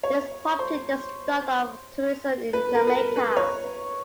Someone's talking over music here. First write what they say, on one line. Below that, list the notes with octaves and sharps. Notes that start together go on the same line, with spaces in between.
This prompted the start of tourism in Jamaica.
C#5
C5
B4
A#4
B4
A#4
B4
C#5